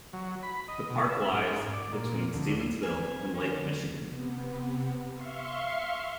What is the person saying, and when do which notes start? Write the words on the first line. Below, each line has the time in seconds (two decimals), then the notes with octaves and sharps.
The park lies between Stevensville and Lake Michigan.
0.13 F#3
0.43 B5
0.68 D#5
0.90 B2
1.09 E5
1.32 G#2
1.73 D5
1.93 A#2
2.33 D2
2.83 C4 B4 G#5
3.34 D3 C#4
4.05 C3 B3
5.13 E5 F5 C6 C#6